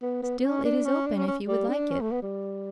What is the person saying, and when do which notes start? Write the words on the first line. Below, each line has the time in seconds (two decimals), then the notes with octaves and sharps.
Still it is open, if you would like it.'
0.02 B3
0.23 B3
0.39 B3
0.44 C#4
0.65 D4
0.86 C#4
1.07 D4
1.17 C#4
1.28 C#4
1.48 G3
1.70 D4
1.91 C#4
2.01 A3
2.12 B3
2.22 G3